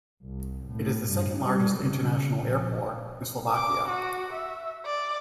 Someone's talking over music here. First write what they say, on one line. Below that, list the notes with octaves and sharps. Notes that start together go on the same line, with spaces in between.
It is the second largest international airport in Slovakia.
C2
A2
G2
G3
C#3
A#1
D6
F#4
E5
D5